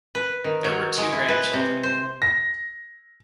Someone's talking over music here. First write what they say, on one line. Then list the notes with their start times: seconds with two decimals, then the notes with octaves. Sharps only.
There were two grandchildren.
0.15 B4
0.44 D#3
0.64 F#3
0.98 G#3
1.12 E4
1.28 B4
1.53 C3
1.83 C5
2.22 A#6